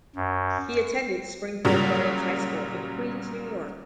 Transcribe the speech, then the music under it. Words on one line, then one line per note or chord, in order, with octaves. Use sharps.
He attended Springfield Gardens High School in Queens, New York.
F#2
A#2 C#3 F#3 G3